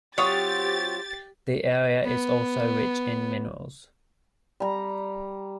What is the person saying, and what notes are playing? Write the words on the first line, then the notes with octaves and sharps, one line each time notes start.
The area is also rich in minerals.
F#3 C4 F4 G4 C#5 D#6 A6
B3
G3 A#5